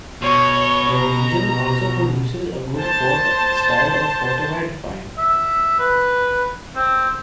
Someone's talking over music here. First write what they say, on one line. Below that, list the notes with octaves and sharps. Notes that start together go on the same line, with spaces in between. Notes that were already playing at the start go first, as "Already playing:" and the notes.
The region also produces a good Port style of fortified wine.
B2 C#5
A#5
C5 A5
E5
B4
C4